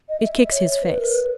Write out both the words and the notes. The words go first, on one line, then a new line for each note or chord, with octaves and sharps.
It kicks his face.
D#5
E5
C#5
B4
A#4
B4